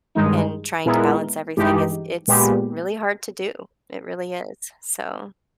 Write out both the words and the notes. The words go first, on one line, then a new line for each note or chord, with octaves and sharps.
and trying to balance everything is it's really hard to do, it really is, so,
G2 D#3 G#3 D#4
A#2 G#3 B3 E4 A#4
G2 E3 G#3 D#4 G4
A#2 G#3 B3 G4